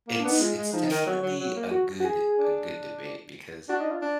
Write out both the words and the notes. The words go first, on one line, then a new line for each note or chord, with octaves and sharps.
it's it's definitely a good a good debate because,
A#3
B3 D4
D#4
G#3 F4
G#3
F3 D#4
D#3
F#3
F#3
F#3
A#3
F#4
F#4
G#4
D4
D4 F#4
D#4
F4
D4